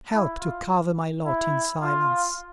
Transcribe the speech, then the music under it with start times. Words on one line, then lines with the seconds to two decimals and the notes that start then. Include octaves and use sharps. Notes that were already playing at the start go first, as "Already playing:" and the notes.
Help to cover my lot in silence.
0.14 E4
0.40 F4
1.25 E4
1.82 F4